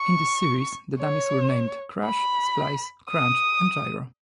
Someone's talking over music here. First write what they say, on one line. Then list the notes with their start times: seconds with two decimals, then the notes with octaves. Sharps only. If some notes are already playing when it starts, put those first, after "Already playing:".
In this series, the dummies were named Crash, Splice, Crunch, and Gyro.
Already playing: C#6
1.00 C#5
2.05 B5
3.12 D#6